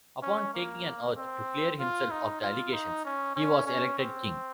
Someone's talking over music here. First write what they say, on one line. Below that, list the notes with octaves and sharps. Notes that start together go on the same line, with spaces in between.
Upon taking an oath to clear himself of the allegations, he was elected king.
C#4
A#3
C4
F4
D#4
F4
D#4
C#4
C#4
C#4
C4